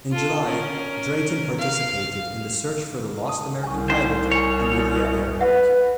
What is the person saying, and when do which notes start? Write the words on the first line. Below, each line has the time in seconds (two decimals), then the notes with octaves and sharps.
In July, "Drayton" participated in the search for the lost American pilot, Amelia Earhart.
0.12 F4 A4
0.45 C#4 A#4
1.59 F5
3.28 A5 D#6
3.63 C2 G#5 C#6
3.90 C#4 D#4 C5 F5
4.32 E4 C#5 G#5
5.05 E5
5.41 B4 E5 F#5